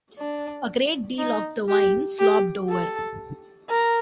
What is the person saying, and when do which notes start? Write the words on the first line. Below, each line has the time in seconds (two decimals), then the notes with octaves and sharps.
A great deal of the wine slopped over.
0.18 D4
1.18 D#4
1.69 G4
2.19 G4
2.69 A4
3.69 A#4